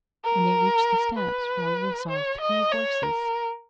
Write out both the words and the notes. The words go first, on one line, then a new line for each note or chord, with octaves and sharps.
When they reached the steps Raoul saw three horses.
A#4
B4
C#5
D#5
C#5
A#4